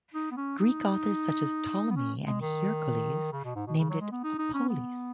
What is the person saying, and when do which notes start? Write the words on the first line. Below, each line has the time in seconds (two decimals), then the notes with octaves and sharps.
Greek authors such as Ptolemy and Hierocles name it a "polis".
0.14 D#4
0.31 B3
0.37 C#4
0.59 D#4
1.90 B3
1.96 C#4
2.27 G#3
2.41 D#3
3.33 C#3
3.44 B2
3.56 G#2
3.67 B2
3.78 C#3
3.90 F#3
4.01 G#3
4.12 B3
4.24 D#4
4.39 D#4
4.54 C#4
4.69 B3